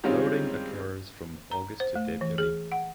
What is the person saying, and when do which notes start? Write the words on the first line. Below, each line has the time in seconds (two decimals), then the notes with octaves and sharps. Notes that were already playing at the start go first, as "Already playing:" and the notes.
Flowering occurs from August to February.
0.04 D#3 G3 G#3 C4 C#4 F4
1.51 A#5
1.80 C5
1.96 A3
2.21 E3
2.38 G#4
2.72 F#5